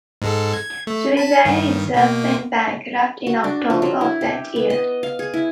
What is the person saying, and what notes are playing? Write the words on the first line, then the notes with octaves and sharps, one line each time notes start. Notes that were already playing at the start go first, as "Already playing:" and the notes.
Swissair itself went bankrupt in October of that year.
G#2 G#3 A4
G#6
A3
A5 B5
G2 D#3
B2 A#3
F#4
D4
F3
F#3
E4
G4
B3
D#5
F5
G#4
E4